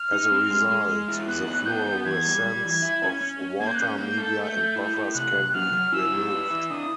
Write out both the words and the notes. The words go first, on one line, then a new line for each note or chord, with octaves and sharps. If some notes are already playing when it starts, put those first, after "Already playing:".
As a result, the fluorescence of water, media, and buffers can be removed.
Already playing: F6
D#4
C4
G#3
G#3
G#3
E4
B3 F#6
D#4
B3 G6
B3
E3 G#6
G3
G3
E3
E4
C#4
C#4
C#4
A#3 G#6
G6
F#6
C#4 G6
A#3
A4
A3
A3
E4
A3
C3 F#6
C3
F#3 F6
F#3
E4 E6
G4
B4
E4
D4 D#6